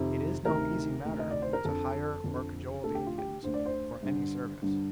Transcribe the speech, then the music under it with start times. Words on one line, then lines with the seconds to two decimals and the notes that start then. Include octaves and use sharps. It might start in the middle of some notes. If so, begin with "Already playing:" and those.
It is no easy matter to hire or cajole the Indians for any service.
Already playing: F2 C3 D#3
0.45 D2 C3 D#3 A#4
1.05 D2 C3 D#3
1.19 D#5
1.31 D5
1.42 C5
1.53 A#4
1.65 F2 D3 A4
2.24 F2 D3
2.83 D2 D3 A4
2.95 G4
3.06 F4
3.18 G4
3.43 D2 D3 C5
3.54 D5
3.66 C5
4.02 G2 D3
4.62 G2 D3